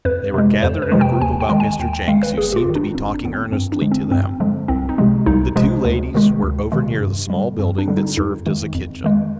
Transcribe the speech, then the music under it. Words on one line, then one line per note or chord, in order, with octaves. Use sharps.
They were gathered in a group about Mr. Jenks, who seemed to be talking earnestly to them. The two ladies were over near the small building that served as a kitchen.
F2 B4
C3 F3 G#3
F2 C5
B4
C3 F3 G#3
G5
D#2 G#5
G5
D#3 G#3
G#5
D#2 G5
G5
D#3 G#3 F5
B4
G1 G#4
G4
F4
F2 D#3
D4
G1 C4
D4
F2 D#3 B3
C4
G2 C4
D4
D3 F3 G#3
C4
G2 C4
D3 F3 G#3
C2 C4
D#4
C3 F3 G#3
C2 D#4
C3 F3 G#3
D2
C3 D#3 G#3
D2
C3 D#3 G#3
G2
D3 G3
G2 C4
D4
D3 G3
D#4
F2 D#4
D#3 G#3
F2
D#3 G#3